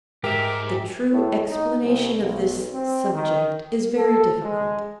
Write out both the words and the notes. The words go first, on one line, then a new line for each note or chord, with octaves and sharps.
The true explanation of this subject is very difficult.
G#2 G4 A#4 E5
A2
D#4
C2
B1
C4
D#3
A4
G#3